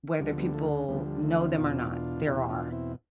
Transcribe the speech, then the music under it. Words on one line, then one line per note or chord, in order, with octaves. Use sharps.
whether people know them or not, there are,
D2 D3 F3 G3
G3 B3
F3 A3
D2 D3 F3 G3 B3
G3
F3 A3
C4 E4
E2 B2 D4 F4
D4 F4
E2 B2 E4 G4
D4 F4
C4 E4